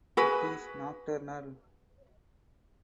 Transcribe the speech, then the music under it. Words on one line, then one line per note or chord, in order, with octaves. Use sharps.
It is nocturnal.
F#4 G#4 B4